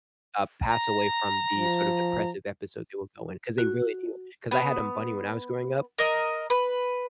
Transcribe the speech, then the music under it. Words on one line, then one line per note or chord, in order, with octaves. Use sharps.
uh, pass away from the sort of depressive episode they will go in, 'cause they really do. 'Cause I had a bunny when I was growing up
A#5
F3
F#4
B3
A#4 D#5
B4